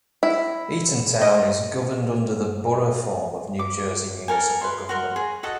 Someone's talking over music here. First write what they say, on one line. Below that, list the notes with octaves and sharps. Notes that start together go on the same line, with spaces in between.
Eatontown is governed under the Borough form of New Jersey municipal government.
E4
D#5
D6
A4 A#4 G#5
B4 C6
F#4 A#4 C6
G#4
F#4 A4 D#5 A5